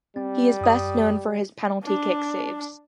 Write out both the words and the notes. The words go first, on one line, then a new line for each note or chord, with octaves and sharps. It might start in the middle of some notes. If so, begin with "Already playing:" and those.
He is best known for his penalty kick saves.
G3 C4
F#2 D#6
D4